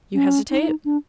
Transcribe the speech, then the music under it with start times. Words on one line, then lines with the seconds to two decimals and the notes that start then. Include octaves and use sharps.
"You hesitate?"
0.14 C#4
0.50 D#4
0.85 D4